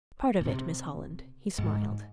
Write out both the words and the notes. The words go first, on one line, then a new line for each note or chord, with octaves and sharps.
"Part of it, Miss Holland," he smiled.
A#2
C3
G#2